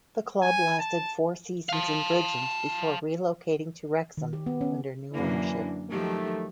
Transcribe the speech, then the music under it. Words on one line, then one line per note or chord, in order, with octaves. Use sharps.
The club lasted four seasons in Bridgend before relocating to Wrexham under new ownership.
G#5
A5
F5 A5
D#3
G4
B3
C#4
F#2 D3 E3 A#3 D4
D#3 F3 F#3 A3 G4